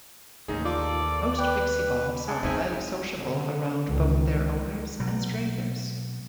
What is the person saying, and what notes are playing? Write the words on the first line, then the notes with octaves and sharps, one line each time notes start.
Most Pixie-bobs are highly sociable around both their owners and strangers.
A1 D#2 D#4 G#4
F4 A4 D5 D6
B4 G5
G#3 G#5 A5
E2 C4 D4 D#4 E5 G#5
D3
C#2 D#3
B2 F#3